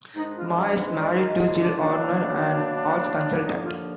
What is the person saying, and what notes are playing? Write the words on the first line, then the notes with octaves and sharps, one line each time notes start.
Ma is married to Jill Hornor, an arts consultant.
G#2 D#3 G#3 D4 D#4
F4
G#4
B4
D5
A#4
G#4
D4
B2 F#3 A#3 D4
D#2 D3 F3 A#3 D4 D#4
F4